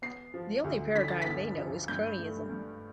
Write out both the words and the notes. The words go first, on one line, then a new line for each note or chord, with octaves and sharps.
The only paradigm they know is cronyism.
B3 C7
F3
D2
D3 B6
A6
B3 B6
F3
G2 G6
A3
G2